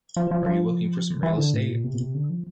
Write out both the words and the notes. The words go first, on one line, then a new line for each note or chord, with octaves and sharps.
Are you looking for some real estate.
F3
F3
F3
E3
D3
A2
A#2
C3
A#2
C3
D3
F3